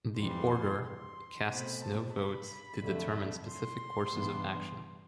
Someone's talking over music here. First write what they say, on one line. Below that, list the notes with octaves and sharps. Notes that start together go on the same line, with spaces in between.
The Order casts no votes to determine specific courses of action.
F2 E3 G3 C6
C6
B2 A3 C4 B5
A5
B5
F2 D3 A3
C6
G2 E3 B3 D4